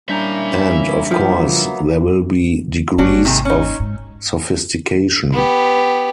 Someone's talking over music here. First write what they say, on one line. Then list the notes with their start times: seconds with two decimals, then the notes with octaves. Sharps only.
And, of course, there will be degrees of sophistication.
0.09 G3 A#3 C#4 D4 E4 E5 A#5 G6
1.11 F3 F#3 A#3 B3
2.98 G#1 A#3 C#4 D4 F#4
3.25 C3 D#3 G#3
3.45 C#4 D#4
3.80 G#2
5.32 B3 G4